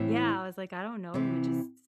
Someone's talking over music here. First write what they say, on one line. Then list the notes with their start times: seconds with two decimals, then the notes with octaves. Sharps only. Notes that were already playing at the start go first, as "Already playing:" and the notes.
yeah, I was like, "I don't know, I just
Already playing: A2 E3 C4
1.14 C3 E3 C4